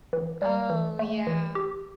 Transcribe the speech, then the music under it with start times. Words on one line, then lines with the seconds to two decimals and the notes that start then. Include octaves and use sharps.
Oh, yeah.
0.13 E3
0.42 G3
0.70 E3
0.99 A3
1.27 E3
1.55 G4